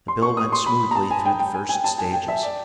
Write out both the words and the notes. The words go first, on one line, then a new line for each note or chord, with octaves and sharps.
The bill went smoothly through the first stages.
C6
C#6
D#6
C6
B5
A#5
A5
G#5
G5
G5
G#5
G#5
A5
G#5
G5
E5
D5